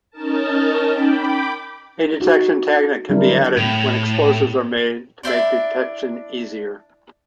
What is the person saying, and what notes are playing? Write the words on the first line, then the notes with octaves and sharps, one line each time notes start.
A detection taggant can be added when explosives are made to make detection easier.
C#4 D#4 A#4 A5
G5 B5 D6
D#4 F#4
D3 F#3 G3 D4 E4 A#4
A2
D4 E4 C5 D5